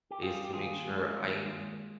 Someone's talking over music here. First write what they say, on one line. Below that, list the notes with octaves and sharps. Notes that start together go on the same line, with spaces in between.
is to make sure I
G4
G3 F4 G#4
G4
D#2 F4 G#4
G#3
D#2
G#3